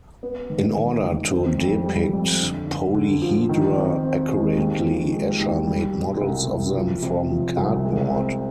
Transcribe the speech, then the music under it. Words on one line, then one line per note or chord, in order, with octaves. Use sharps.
In order to depict polyhedra accurately, Escher made models of them from cardboard.
B3
D#3
D#3
D#3
C4
F2
G3
F2
D3
D3
D3
F3
D#3
C4
C4
G#3
D#2
F3
G#3
D#2
G3
B2
C2
C2
F3
C3
F3
C2
G#3
C4